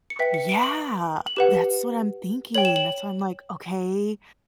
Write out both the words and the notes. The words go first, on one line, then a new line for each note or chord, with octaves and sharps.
Yeah, that's what I'm thinking. That's why I'm like, "Okay."
C#7
B4 E5 G5 B6
C#7
D7
F#7
F#7
G4 B4 F#5 E7
C#5 G5 F#7
E7
F#7